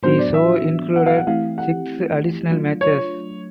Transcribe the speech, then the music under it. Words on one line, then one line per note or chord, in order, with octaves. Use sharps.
The show included six additional matches.
A2 F#3 B3 D4 F#4 C5
D5
E5
F#5
F5
F#5
E3 A3 C4 E4 G4 F5
F#5
F#3 A3 D4 F4
C#5